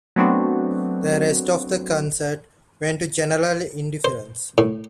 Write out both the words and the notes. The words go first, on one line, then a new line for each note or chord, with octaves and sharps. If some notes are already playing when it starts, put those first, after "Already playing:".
The rest of the concert went to general indifference.
F#3 A3 B3 C4 D4 F#4
C5
A2